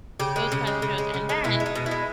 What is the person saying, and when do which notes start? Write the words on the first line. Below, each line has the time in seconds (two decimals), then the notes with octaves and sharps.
those kinds of shows, and then
0.20 C#3 G4
0.36 G#3
0.52 C#3
0.67 G#3
0.82 C#3
0.98 G#3
1.14 C#3
1.29 G#3
1.44 B2 E4
1.60 G#3
1.66 D#4
1.75 B2
1.86 E4
1.91 G#3